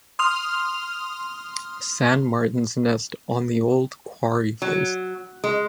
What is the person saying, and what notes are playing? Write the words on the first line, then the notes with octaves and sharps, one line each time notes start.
Sand martins nest on the old quarry face.
C6 D#6 F6 F7
F#3
G#3